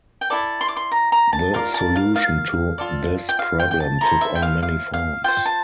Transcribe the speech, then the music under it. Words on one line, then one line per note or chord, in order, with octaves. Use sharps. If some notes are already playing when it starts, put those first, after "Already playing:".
The solution to this problem took on many forms.
G5
E4 A4 D5 A5
C6
D6
C6
A#5
A#5
A5
F4 A#4 D5 F5
A5
F5
F5
F4 A4 D5
G5
F5
G5
G5
A5
E4 A4 C5 A#5
E5
G5
F5
F5
F5
F4 C5 G5
A5